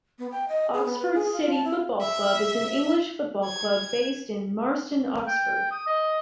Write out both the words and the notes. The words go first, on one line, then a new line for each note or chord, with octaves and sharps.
Oxford City Football Club is an English football club based in Marston, Oxford.
B3
G5
D#5
G#4
B3
B4
G#4
F4
A5
E4
E5
G#6
G5
D#6
D#5